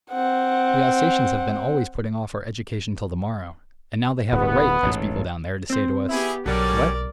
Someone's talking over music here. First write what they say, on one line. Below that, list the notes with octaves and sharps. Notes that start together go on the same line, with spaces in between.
We Alsatians have been always putting off our education till the morrow; and now they have a right, those people down there, to say to us, 'What!
C4 F#5
D1 B3
A1 G#2
C4 C5
B3 E4 G4 G#4
B1 D3 F#3 G3 C#4 A#4 D5